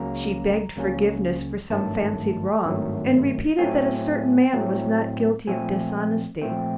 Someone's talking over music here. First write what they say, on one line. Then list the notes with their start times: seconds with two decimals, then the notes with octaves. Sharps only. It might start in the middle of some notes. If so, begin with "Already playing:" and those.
She begged forgiveness for some fancied wrong, and repeated that a certain man was not guilty of dishonesty.
Already playing: C#2 C#3 F#3 A#3 C#4 A#5
0.76 C#2 C#3 F#3 A#3 C#4
1.70 G#1 G2 D#3 F#3 A3 A5
2.65 G#1 G2 D#3 F#3 A3
3.59 A2 F#3 A3 C4 G#5
4.53 A2 F#3 A3 C4
5.47 A#2 F3 A3 C4 G#5
6.42 A#2 F3 A3 C4 G5